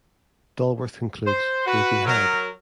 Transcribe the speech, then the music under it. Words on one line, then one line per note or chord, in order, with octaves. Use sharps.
Dolworth concludes, we've been had.
C5
F#4 B4
F#3 A#4